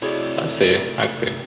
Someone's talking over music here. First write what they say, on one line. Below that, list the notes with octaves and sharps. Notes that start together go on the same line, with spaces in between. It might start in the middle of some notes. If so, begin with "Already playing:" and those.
I see, I see.
C3 A3 E4 F#4 G#4 C#5 D5